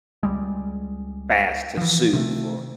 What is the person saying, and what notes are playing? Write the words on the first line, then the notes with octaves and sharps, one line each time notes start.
fast to sue for
C#2 G3 G#3
E3 F3
C3 D#3 A3